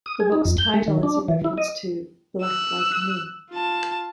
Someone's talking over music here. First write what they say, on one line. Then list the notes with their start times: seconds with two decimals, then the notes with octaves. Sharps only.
The book's title is a reference to "Black Like Me".
0.06 D#6
0.20 G#4
0.32 D#4
0.45 F2
0.58 G6
0.74 G#3
0.88 D#3
1.03 D4
1.28 E3
1.44 E4
1.58 D#5
2.42 E6 F#6
3.51 F4 A5